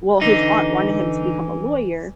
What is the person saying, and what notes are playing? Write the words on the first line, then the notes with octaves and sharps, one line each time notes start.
well, his aunt wanted him to become a lawyer,
D3 E3 D#4